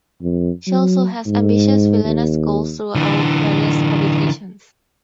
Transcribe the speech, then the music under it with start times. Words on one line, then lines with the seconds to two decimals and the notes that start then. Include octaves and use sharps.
She also has ambitious villainous goals throughout various publications.
0.22 F2
0.67 F#3
1.26 G#2
2.04 D#2
2.95 D3 E3